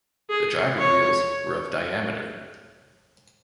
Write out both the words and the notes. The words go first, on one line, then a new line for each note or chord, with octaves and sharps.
The driving wheels were of diameter.
G#4
C#5